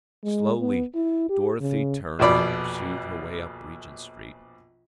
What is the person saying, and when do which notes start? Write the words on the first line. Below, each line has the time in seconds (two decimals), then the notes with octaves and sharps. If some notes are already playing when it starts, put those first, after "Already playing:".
Slowly Dorothy turned and pursued her way up Regent Street.
0.24 G#3
0.60 B3
0.95 E4
1.29 G4
1.61 C#3
2.19 A#1 F2 B2 D5 B5